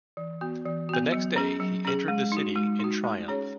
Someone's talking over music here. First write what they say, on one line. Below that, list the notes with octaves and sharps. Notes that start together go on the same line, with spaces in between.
The next day he entered the city in triumph.
E3
B3 F#4
E3
B3 F#4
F#3
C#4 G#4
F#3
C#4 G#4
G#3
D#4 F#4
G#3
D#4 F#4
A3
C#4 G#4 C#5